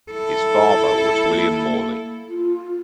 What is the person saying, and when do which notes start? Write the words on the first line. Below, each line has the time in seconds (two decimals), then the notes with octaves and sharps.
His father was William Morley.
0.11 E4 A4
1.28 A#3
2.29 F4